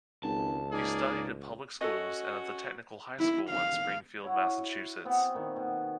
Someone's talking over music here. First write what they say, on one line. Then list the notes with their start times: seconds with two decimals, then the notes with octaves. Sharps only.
He studied in public schools and at the Technical High School in Springfield, Massachusetts.
0.23 G#1 C#2 A5
0.72 G#2 A#3 G#4 D5
1.81 C#4 F#4 A4 D#5
3.19 E4
3.50 F5
4.24 E4 F#4 C#5
5.05 B3 C4
5.35 A#2 D#3
5.56 B2